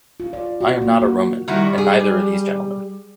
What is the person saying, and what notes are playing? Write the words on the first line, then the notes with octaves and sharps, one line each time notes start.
I am not a Roman, and neither are these gentlemen.
F4
D5
F#4
A#3
F#4
D#3 G3 E4 F#4
G#4